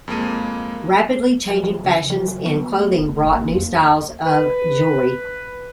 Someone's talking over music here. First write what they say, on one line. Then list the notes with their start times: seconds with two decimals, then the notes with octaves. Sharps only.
Rapidly changing fashions in clothing brought new styles of jewelry.
0.08 F2 G#3 A#3 D#7
1.50 F#3
1.64 F3
1.85 C#3
2.10 F3
2.28 F#3
2.46 B3
2.73 A3
2.99 F1
3.24 G#1
3.35 A#3
3.55 F2
4.26 B4